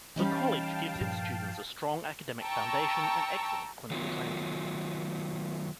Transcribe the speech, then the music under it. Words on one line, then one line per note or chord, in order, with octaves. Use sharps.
The college gives its students a strong academic foundation and excellent clinical training.
E3 G3 C#4 D#4 F5 G5 A5
G2 A#2 F3
G5 A5 A#5 C#6 E6
D#3 F#3 A3 B3 F4